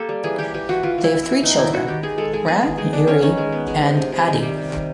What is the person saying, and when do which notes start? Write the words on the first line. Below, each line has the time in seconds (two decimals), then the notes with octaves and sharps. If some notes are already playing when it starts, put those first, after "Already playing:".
They have three children, Ran, Uri and Adi.
Already playing: A#3 G4 A4
0.09 G3
0.24 E3 G#4
0.38 E3 G4
0.54 E3 G4
0.69 E3 F#4
0.83 E3 F4
0.98 E3
1.04 E4
1.13 E3
1.23 E4
1.28 E3
1.43 B3 D#4
1.58 D#3 E4
1.73 D#3 F#4
1.88 D#3 G4
2.03 D#3 G#4
2.18 G#3 A4
2.33 G#3 G#4
2.48 B3 G#4
2.63 D#3
2.78 D#3 G#4
2.93 B3 D4
3.07 D#3 C#4
3.22 D#3 C#4
3.38 G#3
3.52 B3
3.68 G#3
3.82 C3
3.97 C3
4.12 C3
4.27 D#3
4.42 G3
4.57 G3
4.72 D#3